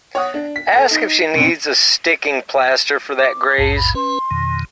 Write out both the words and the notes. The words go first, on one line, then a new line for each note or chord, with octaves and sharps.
Ask if she needs a sticking plaster for that graze.
C#5 F#5 D#6
D4
B6
A4 A#6
D#4
F#2 B2 C4
D6
A#1 E2 G#2 A5
B5
C#4 B4 C6
F2 B2 D#3